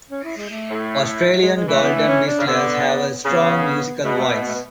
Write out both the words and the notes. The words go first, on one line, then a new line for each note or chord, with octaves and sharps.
Australian golden whistlers have a strong, musical voice.
C#4
E4
G#3
A3
A2
G#3
G#3
E3 A3
B3
A3
C#4
D4
C#3
D3 B3
C#3 B3
B2 A3
B3
A3
B3
A3
B3
A3
B3